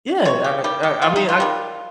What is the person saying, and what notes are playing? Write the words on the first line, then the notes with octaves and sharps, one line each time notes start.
Yeah, I I I mean, I
C3 C#5
G4
D#3 G3 G4
G4
C3 F4
D#4
F4
D#3 G3